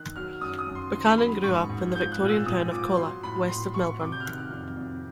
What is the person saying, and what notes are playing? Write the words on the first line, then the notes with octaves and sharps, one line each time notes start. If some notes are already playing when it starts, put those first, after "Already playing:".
Buchanan grew up in the Victorian town of Colac, west of Melbourne.
Already playing: D#3 F#6
F#3 F6
F#2 D#6
D#6
F#2
C6
D#3 C6
F#3 B5
G#2 C#6
G#2
F3 G6
F#6
A#2
E6
A#2 D#6
F3 D6
F#3 C6
A2 B5
A2 C6
F#3 C#6
C3 D6
G6
F6
D#3 F#6
F6
F2
F2